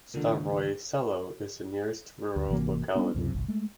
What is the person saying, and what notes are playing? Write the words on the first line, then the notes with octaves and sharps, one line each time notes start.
Staroye Selo is the nearest rural locality.
C#2 A#2 D3 D#3
D2
G#1 C3 E3 A#3
G3 B3 C#4 D4
C#2 F#2 C3
G1 C2
G#3 A3